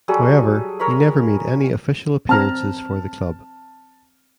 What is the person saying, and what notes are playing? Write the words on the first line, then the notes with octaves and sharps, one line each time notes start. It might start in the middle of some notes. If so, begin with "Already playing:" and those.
However he never made any official appearances for the club.
F#3 G3 G#4 A4
A#4 C#5 A#5 B5
C4 A5 A#5 F6